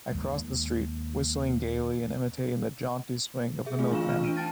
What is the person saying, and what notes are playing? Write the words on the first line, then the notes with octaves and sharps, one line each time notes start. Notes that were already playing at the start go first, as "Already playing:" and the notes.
I crossed the street, whistling gaily and imitating the jaunty swing of the milkman.
D#2 G#3
G#4 E5
A3 C4 F4 F#4
E3 D4 F4 F5 C#6 E7
F6
D4 D7 D#7
G5 A5 F6 A6